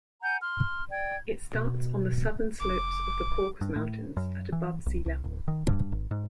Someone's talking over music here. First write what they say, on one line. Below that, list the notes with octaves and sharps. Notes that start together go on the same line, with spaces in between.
It starts on the southern slopes of the Caucasus Mountains at above sea level.
F#5 G#5 A#5 G6
C6 F6
D5 G5 G#6
B2
F1 D6
G2
A2
F#2
E3
B1
C2
D1
D#3
G2
G#1
G#2